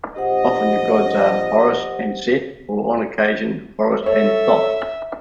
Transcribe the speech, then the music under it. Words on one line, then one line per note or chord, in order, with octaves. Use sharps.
Often the gods are Horus and Set, or on occasion Horus and Thoth.
A#1 G4 C5 D#5 F#5
A4 C#5 E5